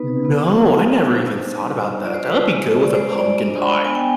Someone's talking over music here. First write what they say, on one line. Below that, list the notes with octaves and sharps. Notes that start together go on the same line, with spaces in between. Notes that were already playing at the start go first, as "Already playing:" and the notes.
No, I never even thought about that. That'll be good with a pumpkin pie.
Already playing: B3 D#4 B4
B3
D#4
D4 C5
G3
F4 D5
C5
B4
C5
G#3
D5
G#3 C5
D5
D4 D#5
B5
B3 G#5
G5